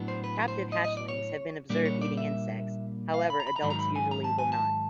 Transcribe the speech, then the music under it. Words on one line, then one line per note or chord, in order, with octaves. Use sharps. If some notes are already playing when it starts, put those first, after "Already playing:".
Captive hatchlings have been observed eating insects; however, adults usually will not.
Already playing: A2 F#3 B3 D4
C5
B4
C5
D#5
D#5
D5
C#5
A#2 G3 A#3 D4 D5
C#5
D5
E5
F5
B5
A#5
B5
A#5
G#2 D#3 F#3 B5
A#5
B5
G#5
A#5
A5
G#5
A5